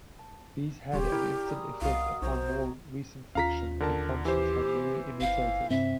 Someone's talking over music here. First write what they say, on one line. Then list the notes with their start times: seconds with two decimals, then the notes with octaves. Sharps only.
These had an instant effect upon more recent fiction, and Conscience had many imitators.
0.19 A5
0.93 D#1 G4 C#5 D5 C6
1.12 E4 A#4 A5 E6
1.47 G3 G#4 A#5
1.82 C2 F#4 D#5 F5
2.22 B1 C5 C#5 A#5
3.35 D#2 C#4 F4 F5 A#5 B6
3.80 D3 A#4 A5
4.25 E3 G4 C5
5.21 G1 F5
5.70 G2 C3 C4 E5